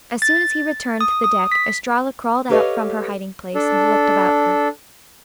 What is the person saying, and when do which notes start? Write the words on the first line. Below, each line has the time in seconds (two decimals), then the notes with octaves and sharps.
As soon as he returned to the deck Estralla crawled out from her hiding-place and looked about her.
0.22 A6
1.01 D#6
1.24 D#6
1.52 B6
2.49 G4 A4 B4 C#5 D#5 F5
3.55 D4 A4